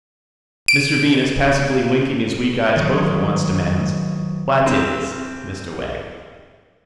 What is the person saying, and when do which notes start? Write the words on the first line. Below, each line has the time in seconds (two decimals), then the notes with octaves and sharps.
Mr Venus, passively winking his weak eyes both at once, demands: 'What is, Mr Wegg?'
0.68 D7
2.77 D#3 F#3
4.65 C2 C4